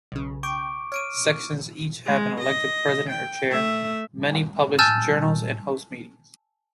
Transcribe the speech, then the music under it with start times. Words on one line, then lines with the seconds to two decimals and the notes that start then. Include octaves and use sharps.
Sections each have an elected president or chair; many publish journals and host meetings.
0.12 B1 C#3
0.43 G5 C#6 D6 D7
0.92 C#5 F6 D7 D#7
2.05 G#3
2.40 D#5
3.09 G5
3.51 A3 E5
4.79 G#5 A5 E6 F6 G6 A6